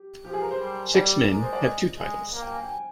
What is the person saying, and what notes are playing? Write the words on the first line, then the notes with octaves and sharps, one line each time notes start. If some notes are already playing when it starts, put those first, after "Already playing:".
Six men have two titles.
Already playing: G4
F3 G4
G#4
A#4
C5
G3
G3 D5
G#3 A#4
C5
D5
D#5
G#3
A#3 F5
G5
G#5
G5
G#5